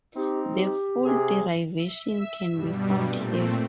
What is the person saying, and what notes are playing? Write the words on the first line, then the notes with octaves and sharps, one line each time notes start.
The full derivation can be found here.
C4 D#4 G4
G4
C3 G#4
E5
E5 E6
G2 B2 G3
A#2 A3 C4